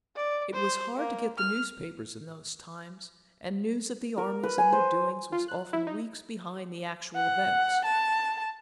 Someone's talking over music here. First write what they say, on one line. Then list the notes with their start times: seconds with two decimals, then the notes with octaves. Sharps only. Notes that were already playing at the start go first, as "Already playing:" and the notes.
It was hard to get the newspapers in those times and news of the armies and their doings was often weeks behind the actual events.
0.15 D5
0.53 C5
0.96 A#3
1.38 F6
4.18 A#4
4.43 B4
4.58 G#5
4.73 C5
5.32 F4
5.48 F#6
5.73 E4
5.87 D#4
7.15 F#5
7.84 A5